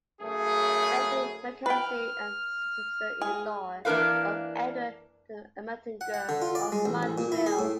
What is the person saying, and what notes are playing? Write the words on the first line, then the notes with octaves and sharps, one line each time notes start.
Frederick Mackenzie and sister-in-law of Edward Ermatinger, of Montreal.
F#2 C#3 A3 G#4
B4 G5 F6
G#4
E3 A#3 D4 A#4 B4 F5
F#5
F#5
D3
F4
D5
G#3
A1
A1
A#2
E4
G#4
A2